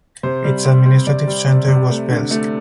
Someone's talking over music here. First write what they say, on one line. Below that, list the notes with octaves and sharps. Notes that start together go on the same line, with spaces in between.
Its administrative centre was Velsk.
C3 C5
G3
C4
C4
C3 D5
G3
C3
C3
A3
D3
A3